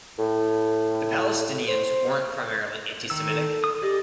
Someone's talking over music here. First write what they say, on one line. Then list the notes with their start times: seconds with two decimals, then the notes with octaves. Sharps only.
The Palestinians weren't primarily anti-Semitic.
0.19 A2
1.68 C5
3.10 D#3 E6
3.28 A4
3.64 D#6
3.82 G4 G#4 D5 D#5